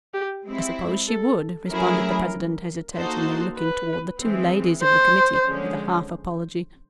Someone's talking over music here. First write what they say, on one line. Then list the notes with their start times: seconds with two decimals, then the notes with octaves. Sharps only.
"I suppose she would," responded the president hesitatingly, looking toward the two ladies of the committee with a half apology.
0.14 G4
0.45 G#3 C4 E4
1.08 A4
1.70 F#3 A3 C#4 E4 G#4 A#4
2.94 A#3 D#4 F#4 A4 C5
3.57 B4
4.20 E3 G#3 C4
4.83 C5
5.45 D3 F3 G#3 C#4